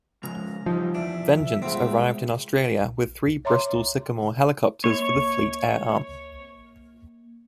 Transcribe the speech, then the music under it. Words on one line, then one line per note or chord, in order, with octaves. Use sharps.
"Vengeance" arrived in Australia with three Bristol Sycamore helicopters for the Fleet Air Arm.
C#3 F3 G#3 A#5
F3 G3 D#4
E2 D4 E5
C#2 G2 B2 C4
C#5 E5 A#5 C6 D6
A#3 C#5